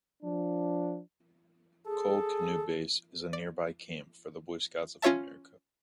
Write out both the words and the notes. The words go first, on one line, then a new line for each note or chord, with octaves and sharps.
Cole Canoe Base is a nearby camp for the Boy Scouts of America.
F3 D4
G#4 A4
D5
C#4 F4 C#5 E5 A5